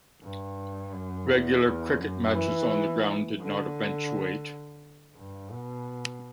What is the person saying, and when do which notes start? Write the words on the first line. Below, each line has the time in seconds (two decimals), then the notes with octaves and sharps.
Regular cricket matches on the ground did not eventuate.
0.23 G2
0.93 F#2
1.28 E2
1.64 E2
1.99 F#2
2.34 E3
3.40 D3
5.16 G2
5.52 B2